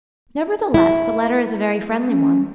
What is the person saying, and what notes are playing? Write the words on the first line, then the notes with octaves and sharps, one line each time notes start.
Nevertheless the letter is a very friendly one.
E4
C#4